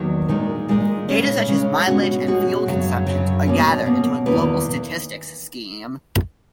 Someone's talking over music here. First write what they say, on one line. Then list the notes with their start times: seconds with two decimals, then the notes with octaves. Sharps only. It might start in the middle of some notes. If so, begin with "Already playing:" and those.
Data such as mileage and fuel consumption are gathered into a global statistics scheme.
Already playing: E2 D#3 F#3 A#3
0.29 A#2 G#3 D#4 A#4
0.68 A#2 G#3 D#4 A#4
1.08 C#3 G#3 C#4
1.48 C#3 G#3 C#4
1.87 B2 G#3 C#4 F#4
2.27 B2 G#3 C#4 F#4
2.66 F#2 C#3 F#3
3.06 F#2 C#3 F#3
3.47 B2 A#3 C#4
3.86 B2 A#3 C#4
4.26 E2 D#3 A#3 E4 B4